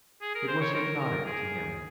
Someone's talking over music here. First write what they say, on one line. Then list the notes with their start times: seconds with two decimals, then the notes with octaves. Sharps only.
It was hypnotic to him.
0.22 G#4
0.35 A#4
0.48 C5
0.61 C#5
0.74 A#4
1.00 A#4
1.26 G#4